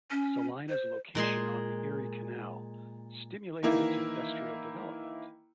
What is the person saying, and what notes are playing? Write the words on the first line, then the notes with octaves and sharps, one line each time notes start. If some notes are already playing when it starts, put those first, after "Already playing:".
Salina's location on the Erie Canal stimulated its industrial development.
C#4
C5
A#2 G#3 G#4 C6
D#3 E3 A#3 E4